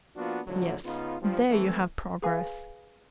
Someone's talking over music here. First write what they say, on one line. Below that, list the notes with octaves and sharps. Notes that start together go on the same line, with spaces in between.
Yes, there you have progress.
F3 A#3 B3 D4 F4 F#4
C#2 A2 D3 F3 F#3
C#3 B3 D#4 F4
G2 F3
E3 A3 C4
G#4 B4 F5 G#5